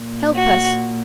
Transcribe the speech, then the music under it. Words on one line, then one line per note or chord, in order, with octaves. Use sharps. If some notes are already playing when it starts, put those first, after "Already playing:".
Help us.
Already playing: A#2
F#4